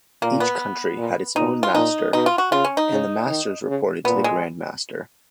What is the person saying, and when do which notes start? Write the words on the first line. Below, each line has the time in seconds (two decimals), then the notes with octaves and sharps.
Each country had its own Master, and the Masters reported to the Grand Master.
0.22 A#2 A#3
0.40 B3
0.98 A#2
1.36 A#2 D#4
1.63 F4
1.75 A#2 D#4
2.13 B2 D#4
2.26 F4
2.38 F#4
2.51 C#3 F4
2.64 C#4
2.77 D#4
2.90 C#3
3.28 D#3
3.66 C#3
4.04 A#2 B3
4.24 G#3